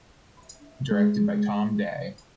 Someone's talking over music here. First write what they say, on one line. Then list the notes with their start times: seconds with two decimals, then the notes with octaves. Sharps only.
Directed by Tom Dey.
0.91 G#3